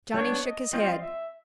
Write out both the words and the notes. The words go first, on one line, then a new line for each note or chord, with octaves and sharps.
Johnny shook his head.
G3 B3 D4 C#5
D#5
G3 C4 F4 D#5
E5